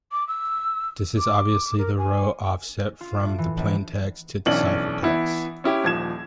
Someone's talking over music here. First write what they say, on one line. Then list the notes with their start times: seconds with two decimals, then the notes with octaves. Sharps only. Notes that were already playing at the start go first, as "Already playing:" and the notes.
This is obviously the row offset from the plaintext to the ciphertext.
0.12 D6
0.28 E6
1.18 D6
1.78 A#4
1.98 G#5
3.01 F4
3.20 A2
3.38 E3
3.57 A#1
4.46 B1 E3 C#4 D4 F#7
5.02 E3 B3 E4
5.64 C#4 E4 G4
5.84 D#1 F3 G#6 E7